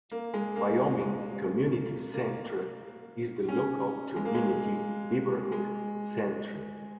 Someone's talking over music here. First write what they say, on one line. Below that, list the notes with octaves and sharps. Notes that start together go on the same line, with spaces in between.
Wyoming Community Centre is the Local Community Neighbourhood Centre.
A#3
G#3
A#3
A#3
C#4
G#3
A#3
G#3
G#3